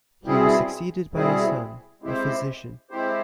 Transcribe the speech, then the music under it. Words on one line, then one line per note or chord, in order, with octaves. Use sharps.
He was succeeded by his son, a physician.
B2 G3 C4 E4 G#4
B2 G3 C4 E4 G#4
G#3 C4 E4 G4 C5
G#3 C4 E4 G4 C5